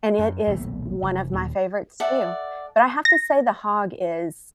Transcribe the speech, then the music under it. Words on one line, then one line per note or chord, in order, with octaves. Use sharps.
and it is one of my favorites, too, but I have to say the hog is
F#2
D#1 B1 B2 A3
F1
D#1 D#2
A4 D5 E5 F#5
A#6